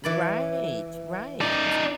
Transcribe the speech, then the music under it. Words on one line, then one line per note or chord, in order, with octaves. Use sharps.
Right, right.
E3 D5 B5
D#4 D5